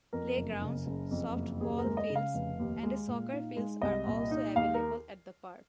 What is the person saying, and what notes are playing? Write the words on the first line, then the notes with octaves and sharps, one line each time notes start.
Playgrounds, softball fields, and a soccer fields are also available at the park.
F2 A#4
F#1
C#3
F#1
F2
F#1
D#2 G#4
A#4
G#3
D#5
C#3
F5
F1
D#2
G#3
A#2
D#4
G#3
C2 D#5
A#2
D#4
D#2 F5
A#4